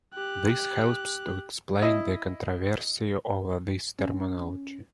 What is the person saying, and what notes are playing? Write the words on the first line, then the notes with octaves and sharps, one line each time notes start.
This helps to explain the controversy over this terminology.
G4 F#6
E4 D#5
C#4